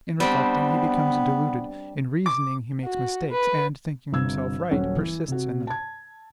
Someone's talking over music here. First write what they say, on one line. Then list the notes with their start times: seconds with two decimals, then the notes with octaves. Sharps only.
In reflecting, he becomes deluded; in reasoning, he makes mistakes, and, thinking himself right, persists in them.
0.20 G3 B3 C4 D4
2.26 D6
2.85 F#4
3.31 B4
4.12 G1 C3 E6 G#6
4.71 D#1 F#3 C#4 C#5 F#5
4.97 E3
5.28 C3 F#4
5.67 A5 G#6